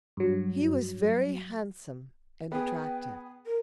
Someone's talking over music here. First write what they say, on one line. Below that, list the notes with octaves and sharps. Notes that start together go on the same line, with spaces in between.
He was very handsome and attractive.
G2 F#3
B3 G#4 G5
A#4